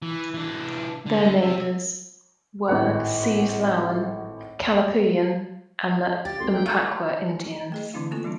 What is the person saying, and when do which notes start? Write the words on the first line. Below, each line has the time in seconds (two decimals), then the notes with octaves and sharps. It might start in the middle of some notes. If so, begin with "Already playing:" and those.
Their neighbors were Siuslauan, Kalapuyan, and the Umpqua Indians.
0.02 E3
0.34 E3 D4
1.06 D3
1.42 C3 E5
2.68 G#1 A2 B4 F#5 F#6
6.09 F5
6.25 D2 G4 A6
6.40 G#1 C4 A4 C6
6.52 G5
6.66 A3 F5 A6
7.72 A3 G#4 D#5
7.93 D3 E3 C4 D4 E4 F5
8.11 A3 A#3 C4 F4 A4 C#6
8.24 E3 G3 B3 D4 D#4